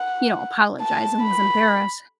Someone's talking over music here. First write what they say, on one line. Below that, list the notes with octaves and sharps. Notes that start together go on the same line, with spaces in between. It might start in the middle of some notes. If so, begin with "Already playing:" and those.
you know, apologized and was embarrassed.
Already playing: F#5
A5
B5